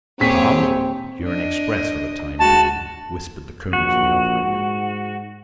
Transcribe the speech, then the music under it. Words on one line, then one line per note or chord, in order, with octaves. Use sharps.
"Tom, you're an express for the time being!" whispered the colonel to the operator.
D#1 C4 G4 G#4 C#5 B6
D4 D#5
G#3 F#4 A5
A#1 F#4
G#2